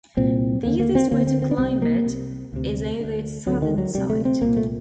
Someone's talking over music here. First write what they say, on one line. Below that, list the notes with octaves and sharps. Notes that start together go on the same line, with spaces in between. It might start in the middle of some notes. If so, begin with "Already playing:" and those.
The easiest way to climb it is over its southern side.
C2 A#2 C4
D#2 D3 A#3
A#3
C4
D2 D3 A#3
C4
C4
D4
C2 C3 C4
A#3
C2 C3
D2 C3
D2 D3
D2 D3 F#3
D#3
F#3
D2 C3 G3
A3
C4
C2 A#2 A#3
A3